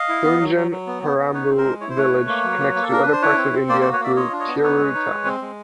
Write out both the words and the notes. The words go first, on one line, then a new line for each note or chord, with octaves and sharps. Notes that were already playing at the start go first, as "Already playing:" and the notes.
Thunjan parambu village connects to other parts of India through Tirur town.
Already playing: D#5 F5
E4
B3
F#3
F#3
F#3
B3
B3
B3
D#4 B4 C#5
C4
A#4 C5
G#3
E4 C#5
C5
A3 B4 C#5
A3
A#3
F#3
A#3
A#3
A4
D4 A#4
D4 B4
C5
E4 B4 C#5
C4
C4
A#3 C5 D5
F#4 C5 D5
B4 C#5
A#3 D5 E5
F4 C#5 D#5
D4
C#5 D#5
B3
D#4 B4 C#5
G#3
D#4
G#3
C4
G#3